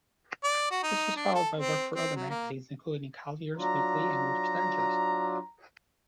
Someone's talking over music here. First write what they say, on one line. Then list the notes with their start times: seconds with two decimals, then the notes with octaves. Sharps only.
This was followed by work for other magazines, including "Collier's Weekly" and "Reader's Digest".
0.44 D5
0.71 F#4
0.83 D#4
1.16 D4
1.35 A4
1.55 C4
1.95 C4
2.16 F#3
2.30 A#3
3.57 F#3 D4 F4 A#5